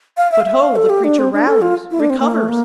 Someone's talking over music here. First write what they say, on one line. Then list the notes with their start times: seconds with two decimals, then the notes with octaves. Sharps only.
But ho! the creature rallies--recovers!
0.17 F5
0.32 E5
0.41 F5
0.46 E5
0.61 F5
0.76 A4
0.90 G4
1.04 D4
1.19 C4
1.33 D4
1.47 A4
1.62 F4
1.91 E4
2.00 D4
2.10 C4
2.19 A#3
2.34 A3
2.48 A#3